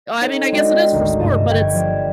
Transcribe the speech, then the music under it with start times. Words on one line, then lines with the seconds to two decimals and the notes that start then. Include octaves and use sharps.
I mean, I guess it is for sport, but it's
0.21 C4 D#4 A4 C#5
0.52 G#3 D4 F#4 D5 D#5 G5
0.92 G#1 D2 D#3 A#5
1.19 F1 G2 A3 D#5 A5 E7
1.51 G1 G5 C#6 G#6 B6
1.74 F3 D5 E7